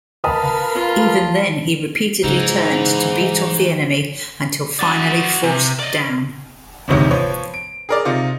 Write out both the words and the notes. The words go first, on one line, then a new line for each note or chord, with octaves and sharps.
Even then, he repeatedly turned to beat off the enemy until finally forced down.
A#4 B4 D#5 F5 A5 B5
F4
G#2 C#3 E3 D#4
F#4 D5
C3
D5 D#5
E1 D2 G#2 C3 D#3 C#5
F3 B4 C#5
D7
G#4 A#4 D5
C3 D#4 F4